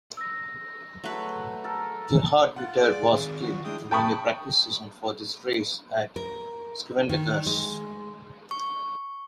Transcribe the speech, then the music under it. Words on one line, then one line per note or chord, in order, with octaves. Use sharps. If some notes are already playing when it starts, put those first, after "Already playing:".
Gerhard Mitter was killed during a practice session for this race at Schwedenkreuz.
E6 A#6
F#3 A3 B4
A4 A#4
F4 F#5 F#6 A6
G#4 D5
D#3 C4
F3 F#4
G#3 D4 E4 G#4 G5 D#6
G5 A5 B5 C#6 D#6
A#4
D#3
G#3
C#6